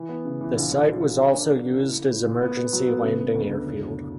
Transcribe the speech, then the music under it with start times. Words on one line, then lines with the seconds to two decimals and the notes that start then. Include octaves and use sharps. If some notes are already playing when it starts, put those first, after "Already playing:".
The site was also used as emergency landing airfield.
Already playing: E3
0.09 B3
0.25 C#3
0.41 E3
0.56 A#1
0.71 A#1
0.86 F#3
1.02 A#1
1.17 D4
1.34 A#3
1.49 A#3
1.64 C#3
1.80 E4
1.95 A#3
2.10 E4
2.26 A#2
2.42 B3
2.57 B3
2.73 F#3
2.87 B3
3.03 C#3
3.19 C#3
3.35 D2
3.50 D2
3.65 F#1
3.81 B2